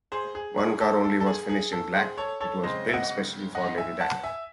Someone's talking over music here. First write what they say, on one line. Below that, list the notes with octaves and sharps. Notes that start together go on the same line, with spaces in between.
One car only was finished in black; it was built especially for Lady Diana.
G#4 C5
G#4
G#4
A4
A4
A4
G#4
G#4
A4
G#4 C5
A4 C#5
A4 C#5
C#3 G#3 C4 C5 D#5
E5
D#5 F#5
D#5 F#5
E5 G#5
F#5 A5
E5 G#5